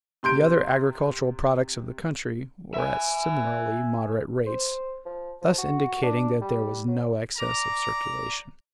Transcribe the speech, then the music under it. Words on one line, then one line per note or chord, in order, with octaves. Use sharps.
The other agricultural products of the country were at similarly moderate rates, thus indicating that there was no excess of circulation.
C3 C6 G6 D7
E5 G#5
C5
F3
F3
F#4
D4
G3
F#3
D5 A#5